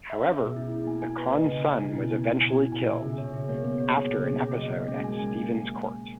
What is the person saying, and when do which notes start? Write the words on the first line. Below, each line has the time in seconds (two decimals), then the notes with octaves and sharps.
However, the Khan's son was eventually killed, after an episode at Stephens's court.
0.10 E5
0.24 C#4
0.40 B2 G#4
0.56 B2 E4
0.71 E4
0.86 A#3 G#5
1.02 G#5
1.18 B4
1.33 D#5
1.49 C#3 G#5
1.64 G#5
1.79 C#3 E4
1.95 B2 E4
2.11 G#5
2.26 E4
2.41 B2 G#5
2.57 E4
2.72 A#2 G#5
2.87 B2 E5
3.02 C#3 G#4
3.18 A#2 C#5
3.29 C#3
3.34 B2 G#4
3.49 A#3 C#5
3.64 B3 G#4
3.80 C#5
3.95 A#3 G#4
4.06 A#3
4.11 G#4
4.16 C#3
4.26 B2 G#4
4.42 B2 C#4
4.58 F#3 D#5
4.72 G#4
4.88 G#3 C#4
4.99 A#3
5.04 G#3 G#5
5.19 A#3 G#5